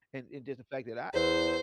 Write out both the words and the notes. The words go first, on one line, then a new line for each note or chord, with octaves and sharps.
and and just the fact that I
E2 C5